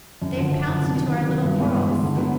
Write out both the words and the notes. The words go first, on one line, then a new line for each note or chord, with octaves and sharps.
They've pounced into our little quarrels....
F#2
D3 F3
F#2
D3 F3
C3
D#3 F#3
C3
D#3 F#3
G2
E3 G#3 B3
G2
E3 G#3 B3
D3
F#3 B3